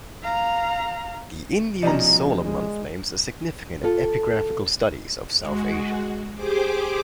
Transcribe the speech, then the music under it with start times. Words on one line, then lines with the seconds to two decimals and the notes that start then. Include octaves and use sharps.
The Indian solar month names are significant in epigraphical studies of South Asia.
0.23 F5 A#5
1.83 C2 B2 F3 C#4 D#4 D5 A#5
2.45 G#3
3.83 F4 A4
5.39 G#3 F#4
6.35 G4 G#4 C5 D6